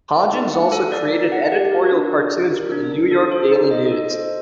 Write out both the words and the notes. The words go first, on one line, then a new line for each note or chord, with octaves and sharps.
Hodgins also created editorial cartoons for the New York Daily News.
D5
D#4
F#5
A4
D5
D#4
F#5
G4
A#4
D4
D4
G4
A#4
D4
D4
A4
C5
D#4
D#5
A4
C5